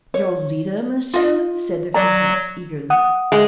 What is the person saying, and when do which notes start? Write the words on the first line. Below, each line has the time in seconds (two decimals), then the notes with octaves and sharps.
"Your leader, Monsieur?" said the Comtesse, eagerly.
0.14 C#5
1.14 F4 D#5
1.94 F#3 D5 A#5
2.90 F#5 D#6
3.32 G#3